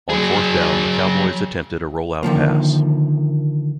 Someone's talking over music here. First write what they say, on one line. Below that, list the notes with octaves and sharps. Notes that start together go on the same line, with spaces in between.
On fourth down, the Cowboys attempted a rollout pass.
F#3 G#4
D3 D#3 F3 A#3